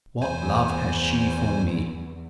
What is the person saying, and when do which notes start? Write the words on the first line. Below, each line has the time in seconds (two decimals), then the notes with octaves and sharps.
What love has she for me?
0.22 E2 C5 G#5